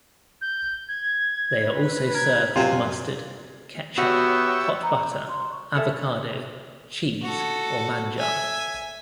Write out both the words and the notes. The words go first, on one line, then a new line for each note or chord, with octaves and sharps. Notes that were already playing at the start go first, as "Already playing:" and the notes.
They are also served with mustard, ketchup, hot butter, avocado, cheese or manjar.
G6
G#6
B4
A#4 G#6
F#2 C3 F4 F5 G#5
B3 F#4 G4 C#5 E5
A#5
C6
C#6
C#4 A4 E5
F#4 A4
E5 G#5